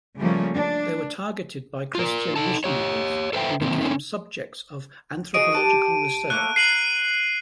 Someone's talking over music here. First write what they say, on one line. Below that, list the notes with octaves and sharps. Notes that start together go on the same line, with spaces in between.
They were targeted by Christian missionaries and became subjects of anthropological research.
C#3 F3 G3 A3 A#3 C#4
D4
F4 A#4
D#4 A4 A5
G4 C#5
A4 B4 C5 E5 G5
D#3 E3 A#3 C4
A3 C4 C#4
D#4 F#4 G#4 D7 D#7
G4 A5 F#6
A3 A#3 A#4 F#6
A#4 C7 D#7 F#7